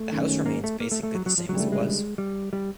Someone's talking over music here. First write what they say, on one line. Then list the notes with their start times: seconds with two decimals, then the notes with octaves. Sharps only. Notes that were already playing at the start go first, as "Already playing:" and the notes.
The house remains basically the same as it was.
Already playing: A3
0.11 F#2 D#3 G#3 C#4
0.46 A#3
0.64 A3
0.80 A#3
0.92 A3
1.03 A3
1.15 F#3
1.26 F#3
1.38 F3
1.49 D2 C#3 E3 F#3 G3
1.60 A3
1.72 G#3
2.18 G3
2.53 G3